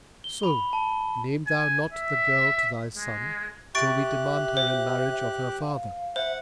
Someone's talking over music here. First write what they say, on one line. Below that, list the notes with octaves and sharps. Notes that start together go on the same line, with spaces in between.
So name thou not the girl to thy son, till we demand her in marriage of her father.
G7
B5
A5
G#5
E5
G#3
G4 E5 C#6 F#6 A6 D7
C5
F5
C5 E5 F#5